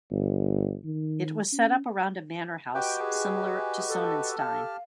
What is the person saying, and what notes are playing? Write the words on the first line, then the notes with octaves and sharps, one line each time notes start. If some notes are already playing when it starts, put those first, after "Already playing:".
It was set up around a manor house similar to Sonnenstein.
G1
D#3
C#4
F#4 G4 B4 D#5 G5
G#4
A4
G4 F5 A5 F6